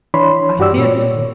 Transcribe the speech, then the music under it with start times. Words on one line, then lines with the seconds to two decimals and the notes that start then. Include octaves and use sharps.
"I fear so."
0.14 E3 D4 C#5 B5 C6
0.59 G2 F#4 G4 D5 E6
0.78 A#2 C#5